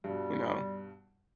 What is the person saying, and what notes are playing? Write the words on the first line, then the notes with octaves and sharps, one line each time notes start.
you know.
G2 B2 G3